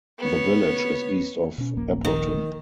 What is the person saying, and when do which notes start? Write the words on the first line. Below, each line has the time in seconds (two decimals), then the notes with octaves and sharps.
The village is east of Appleton.
0.19 B3 C#5
1.58 B2 C#4
1.75 D#1 A#1 A#3
2.05 D#3